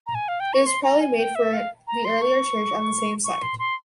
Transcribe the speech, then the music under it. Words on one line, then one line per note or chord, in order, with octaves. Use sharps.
It was probably made for the earlier church on the same site.
A#5
G#5
F5
G5
C#6
C6
A#5
G#5
G5
E5
F5
A#5
C6
C#6
C#6
C6
C6